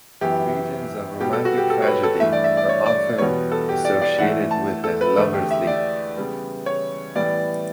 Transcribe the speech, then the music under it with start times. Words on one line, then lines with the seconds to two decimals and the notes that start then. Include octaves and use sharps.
Legends of romantic tragedy are often associated with a Lovers' Leap.
0.21 F#2 E3 B3 G4
1.20 B2 G3 B3 G4
1.33 A4
1.45 F#4
1.57 G4
1.70 A4
1.82 C#5
1.86 B4
2.03 A4
2.19 G2 E3 A3 E5
2.33 D5
2.44 E5
2.57 D5
2.69 C#5
2.86 D5
3.19 E2 B2 G3 B3 C#5
3.52 A4
3.69 G4
3.85 D5
4.02 D5
4.18 A2 E3 A3 F#5
4.51 A5
4.84 A4
5.01 B4
5.17 E2 D3 A3 A4
5.33 G4
5.51 E5
5.67 D5
6.17 C#3 G3 B3
6.66 C#5
7.16 A2 E3 G3 B3 D5